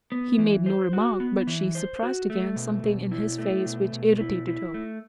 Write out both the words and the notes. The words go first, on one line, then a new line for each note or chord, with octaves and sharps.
He made no remark, but she surprised again something in his face which irritated her.
B3
E3
C5
F#4
B3
E3
C5
F#4
A3
B2
B2
E4
A3
B2
B2
E4
E4
A3